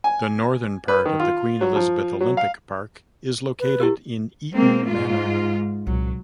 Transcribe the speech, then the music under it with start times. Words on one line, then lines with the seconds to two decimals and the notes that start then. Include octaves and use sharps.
The northern part of the Queen Elizabeth Olympic Park is located in Eton Manor.
0.04 G#5
0.88 B4
1.05 D#3
1.20 F4
1.61 F#3
1.76 F3
2.20 F#3
2.37 F5
3.60 B4
3.80 E4 G4 A#4
4.54 G#3 A#3 C4
4.89 G#2 G#3 F4
5.87 C2 A#2 F#3